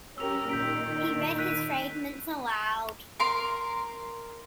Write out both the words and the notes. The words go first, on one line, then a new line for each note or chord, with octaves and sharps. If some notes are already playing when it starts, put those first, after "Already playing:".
He read his fragments aloud.
C#4 G4 A#4 E6 F7
A#2 D#3 G6 B6 D7
F#6 B6 D#7
A#4 A#5 C6 D6